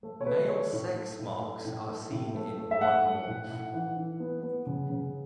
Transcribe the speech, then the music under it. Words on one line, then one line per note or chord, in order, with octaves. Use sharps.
Male sex-marks are seen in one morph.
A3
C#5
A3 B4
A3 C#5
A2
A3
A2
A3
A2
A3
A2
A3
A3
E5
A3 F#5
A3
A2
A2
E3 F#5
E3
B3
B3
C#3
C#3